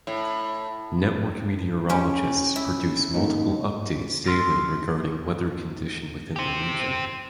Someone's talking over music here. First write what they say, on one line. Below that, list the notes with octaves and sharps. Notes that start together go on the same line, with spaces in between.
Network meteorologists produce multiple updates daily regarding weather condition within the region.
A2
C#4 G4
E4
D#2
C6 E6 F6 A6 A#6 C7
C4 G4